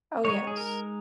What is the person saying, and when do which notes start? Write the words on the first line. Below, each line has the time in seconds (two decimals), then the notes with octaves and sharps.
Oh yes.
0.24 G#3 D#4 C#5
0.47 G#4
0.57 A#4